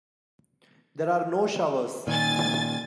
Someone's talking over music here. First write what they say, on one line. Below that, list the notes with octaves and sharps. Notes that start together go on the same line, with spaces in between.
There are no showers.
A#2 D#3 G#5 A6